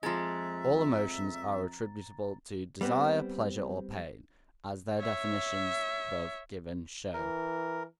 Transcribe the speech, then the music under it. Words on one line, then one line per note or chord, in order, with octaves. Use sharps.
All emotions are attributable to desire, pleasure, or pain, as their definitions above given show.
F2 F3 G#3 E5 A#5 A6
G3 B3 C4
C#5 E5
E3 A#4